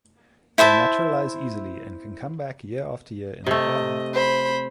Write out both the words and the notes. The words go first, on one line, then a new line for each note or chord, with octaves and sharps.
They naturalize easily and can come back year after year in the garden.
E4 C5 E5 A5
C3 A3 D#5
C5 B5